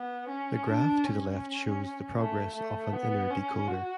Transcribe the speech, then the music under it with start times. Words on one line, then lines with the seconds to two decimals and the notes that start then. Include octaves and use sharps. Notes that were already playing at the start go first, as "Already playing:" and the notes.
The graph to the left shows the progress of an inner decoder.
Already playing: B3
0.29 C#4
0.67 D4
1.04 C#4
2.17 A3
2.55 A3
2.93 B3
3.30 C#4
3.67 F#4